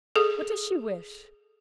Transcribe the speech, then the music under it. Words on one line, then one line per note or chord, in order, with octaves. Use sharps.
What does she wish?
G#4 A4